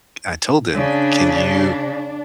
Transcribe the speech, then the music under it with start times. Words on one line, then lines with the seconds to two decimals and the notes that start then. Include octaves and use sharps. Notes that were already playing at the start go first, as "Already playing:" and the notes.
I told them, "Can you"
0.73 C#3 D4